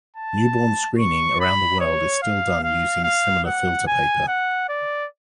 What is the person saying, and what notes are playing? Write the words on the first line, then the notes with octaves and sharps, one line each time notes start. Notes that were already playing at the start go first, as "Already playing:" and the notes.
Newborn screening around the world is still done using similar filter paper.
A5
C#6
B5
C#5
F5
F5
F5
F#5
G#5
F#5
D5